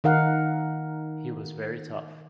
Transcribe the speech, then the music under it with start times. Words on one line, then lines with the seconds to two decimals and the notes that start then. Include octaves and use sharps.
He was very tough.
0.04 D#3 D#4 A#4 F5 F#5